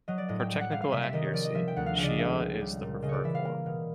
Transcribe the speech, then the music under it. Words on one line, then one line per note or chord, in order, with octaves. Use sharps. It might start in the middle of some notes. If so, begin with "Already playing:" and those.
For technical accuracy Shi'ah is the preferred form.
F#3 D#5
D5
A2 D#5
G5
G3 G5
F#5
G3 F5
F5
C3 E5
E5
D#3 D#5
C#5
F3 D5
D#5
F3 E5
G5
D2 F#5
F5
C#3 F5
D5 D#5
C#2 E5
C#2
G3
A#2
C#3 D#5
C#5 D5
E3 E5
F5
A#3
B2